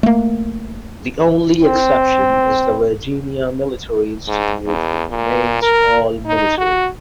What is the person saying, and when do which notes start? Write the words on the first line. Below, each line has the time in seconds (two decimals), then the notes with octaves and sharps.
The only exception is the Virginia Military Institute, which remains all-military.
0.03 A3 A#3
1.61 C4
4.28 G#2
4.66 E2
5.10 A#2
5.62 A#4
6.25 D#4
6.58 F#4